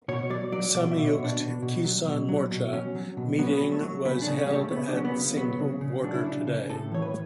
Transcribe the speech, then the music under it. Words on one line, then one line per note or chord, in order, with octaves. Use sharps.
Samyukt Kisan Morcha meeting was held at Singhu Border today.
B2 C#5
F#3 D5
F#3 D5
B2 D5
E5
B2
C#5
B2
D4
B2
B2
F#3
B2
F#3
B2
F#3 C#4
F#3
B2
F#3 B3
C#4
B3
F#3
A3
F#3
C#3 B3
D4
C#3
C#4
G3
C#3
A3
C#3 B3
D4
F#3 C#4
B3
C#3
F#3 B3
C#3
C#3
F#3 D4
E4
C#3 D4
C#3
A2 A4
E3 C#5
B4